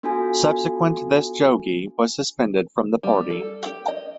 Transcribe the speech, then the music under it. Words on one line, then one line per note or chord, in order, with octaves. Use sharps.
Subsequent to this Jogi was suspended from the party.
B3 D4 F4 F#4 A4 G#5
G3
A4
G4
D#5